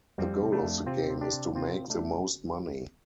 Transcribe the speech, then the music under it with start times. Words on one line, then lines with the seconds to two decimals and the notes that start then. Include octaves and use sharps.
The goal of the game is to make the most money.
0.18 F2 G3 C4
0.42 C3
0.52 A3 D4
0.64 F2
0.86 C3 C4 F4
1.10 C3
1.21 D4 G4
1.33 C3
1.55 C3 C4 F4
1.79 C3
1.90 A3 D4